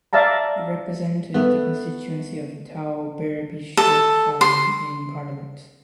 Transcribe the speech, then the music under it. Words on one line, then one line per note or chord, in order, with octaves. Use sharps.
He represented the constituency of Tauberbischofsheim in parliament.
D5 E5 F5 A5 A#5
A3 B3
A4
C6